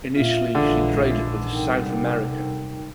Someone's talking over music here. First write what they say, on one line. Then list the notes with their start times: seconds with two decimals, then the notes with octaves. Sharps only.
Initially she traded with South America.
0.15 A#2 F4 E5 F5
0.55 A#1 D3 E3 G#3
1.50 C3 G3 D#4 A#4 G5